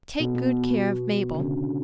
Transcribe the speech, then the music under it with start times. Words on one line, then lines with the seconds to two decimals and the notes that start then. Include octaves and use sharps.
Take good care of Mabel.
0.20 B2
0.35 B2
1.34 D3
1.40 C#3